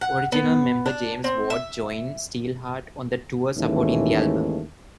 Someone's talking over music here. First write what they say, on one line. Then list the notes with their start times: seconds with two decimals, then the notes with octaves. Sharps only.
Original member James Ward joined Steelheart on the tour supporting the album.
0.01 F#5
0.32 B3
0.86 D4
1.24 C4
1.50 E5
3.56 D#2 G#2 E3 G#3 A3 C#4